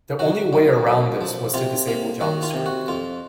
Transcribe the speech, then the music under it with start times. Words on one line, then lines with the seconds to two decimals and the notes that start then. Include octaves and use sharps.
The only way around this was to disable JavaScript.
0.19 F#3 F#4
0.53 F#2
0.87 F#2
1.21 F3
1.54 C3 F4
1.88 A#3
2.21 D#3 F#4
2.43 F4
2.54 C3
2.66 F#4
2.88 F2 F4